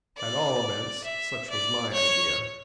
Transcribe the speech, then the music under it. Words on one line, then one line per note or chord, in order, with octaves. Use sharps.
At all events, such was my idea.
D5
E5
D5
C#5